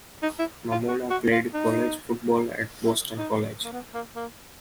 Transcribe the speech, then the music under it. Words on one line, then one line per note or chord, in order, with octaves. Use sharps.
Mamula played college football at Boston College.
D#4
E4
F4
F#4
F#4
F4
D#4
E4
D#4
A#3
B3
A#3
A#3